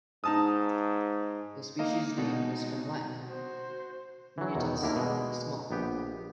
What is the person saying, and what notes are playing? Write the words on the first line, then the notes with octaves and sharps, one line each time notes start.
The species name is from Latin "minutus", "small".
G#2 D#4 A5 D#6
G#3 A#3 D#4 D#5 F5
B2
F#4 C5
E3 F#3
E2 B2 D#3
D#2 D3 A#3 E4 A#4
B2 G#3
A#1 B3 G4